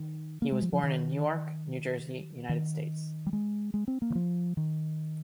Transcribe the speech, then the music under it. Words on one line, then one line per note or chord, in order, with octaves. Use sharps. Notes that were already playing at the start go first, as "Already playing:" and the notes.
He was born in Newark, New Jersey, United States.
Already playing: D#3
A#3
G#3
F3
F3
D#3
D#3
G3
G#3
G#3
C4
A#3
D#3
F3
D#3